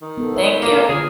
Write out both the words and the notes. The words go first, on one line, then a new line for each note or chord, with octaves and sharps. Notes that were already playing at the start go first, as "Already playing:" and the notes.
Thank you.
D#3
B3 A4
B4 C5 E5
A#3 A#4 C5
D3 F4 G#4